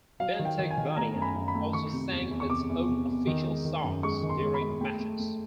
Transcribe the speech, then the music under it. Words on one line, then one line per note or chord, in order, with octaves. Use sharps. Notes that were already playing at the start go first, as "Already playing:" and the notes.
"Benteng Mania" also sang its own official songs during matches.
F#3 F5
D#3
G5
D#3
G#5
D#3
A3 A#5
F#2
B5
F#2
B5
A3
D#3 C#6
C3
E2
E2
C#6
C3 D6
E2
C3
E2
D#3
G#3
D#3
F#2
G#3 C#6
D#3
C6
G#3
B5
G#3
A3 G5
A3
A3